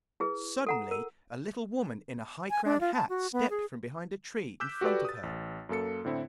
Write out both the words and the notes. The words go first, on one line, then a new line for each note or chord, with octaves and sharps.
Suddenly a little woman in a high-crowned hat stepped from behind a tree in front of her.
E4 G#4 B4
A4 F#5 A#5
A#4
G#5
D4
F4
A5
F#4
B3
G#4
D6 E6 F#6 G6 B6 E7
F#4 G4 A4 B4 D5
D#6 A6
A1
F#2 A#3 A4 C#7
A2 D3 C4 E4